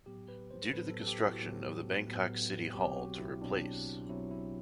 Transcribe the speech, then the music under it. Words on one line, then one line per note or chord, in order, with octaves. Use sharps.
Due to the construction of the Bangkok City Hall to replace.
A2 F#3 B3 G4
B4
C5
A4
A2 F#3 B3 B4
A4
A4
G4
E4
F#4
A2 F#3 B3
A2 F#3 B3
B1 B2 F#3 C4 G4
F#4
E4
B1 B2 F#3 C4 D4
B1 B2 F#3 C4 E4
E4